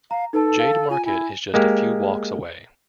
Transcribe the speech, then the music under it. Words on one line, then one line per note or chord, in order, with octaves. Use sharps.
Jade Market is just a few walks away.
F5 A#5
D#4 A4 B4 A5
F5 A5
F4 G#5
E4 G#5
G#3 A#3 G4